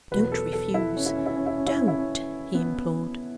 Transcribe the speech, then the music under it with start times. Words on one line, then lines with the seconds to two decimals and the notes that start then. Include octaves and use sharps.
"Don't refuse; don't," he implored.
0.11 E2 B2 F#3 B4
0.32 A4
0.53 A4
0.74 E4
0.96 C#4
1.06 E4
1.16 C#4
1.26 E4
1.36 C#4
1.46 E4
1.57 C#4
1.67 E4
1.77 C#4
1.88 E4
1.98 C#4
2.54 B3